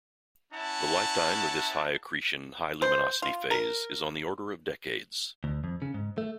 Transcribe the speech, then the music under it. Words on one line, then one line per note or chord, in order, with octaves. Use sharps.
The lifetime of this high-accretion, high-luminosity phase is on the order of decades.
C#4 E4 F#5 A5
C5
F4
A#4
D2
F2
C#3
G#2
A3